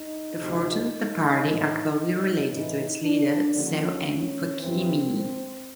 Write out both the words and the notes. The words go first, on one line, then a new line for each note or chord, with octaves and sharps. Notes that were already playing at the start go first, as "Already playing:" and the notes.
The fortunes of the party are closely related to its leader Cehl M. Fakeemeeah.
Already playing: D#4
D2 C3 F3
D#4
A2 E3
A2 E3 D#4
D4
D#2 D3 F3 C#4
G2 E3 C4